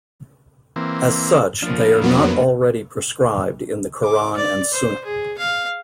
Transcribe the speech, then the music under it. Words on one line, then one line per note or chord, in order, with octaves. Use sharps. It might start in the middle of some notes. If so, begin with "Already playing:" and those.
As such, they are not already prescribed in the Koran and Sunna.
E3 A#3 C4
F3 A#3 D4
F2 F#3 B3
D6
D5
C5
G#4
F5